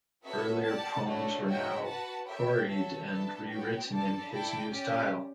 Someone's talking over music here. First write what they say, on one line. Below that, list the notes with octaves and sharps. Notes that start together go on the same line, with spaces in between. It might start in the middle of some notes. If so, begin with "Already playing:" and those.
Earlier poems were now 'quarried' and rewritten in his new style.
B3 F#4 A4 C#5 E5
G4 D5 F#5 A5
A3 D4 F#4 C#5
F#4 C#5 E5 G5
F#4 B4 F#5 A5
G4 C#5 E5 G5
F#4 A4 C#5 E5
B3 D4 A4 E5 A5
B3 F#4 C#5 G5
D4 A4 D5 A5
E4 A4 D5 G5
C#4 G4 D5